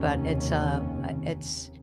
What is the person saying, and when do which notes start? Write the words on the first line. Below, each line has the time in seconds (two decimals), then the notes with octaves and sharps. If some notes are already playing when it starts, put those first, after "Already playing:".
but it's, uh uh, it's
Already playing: F1 D#2 C#3 C#4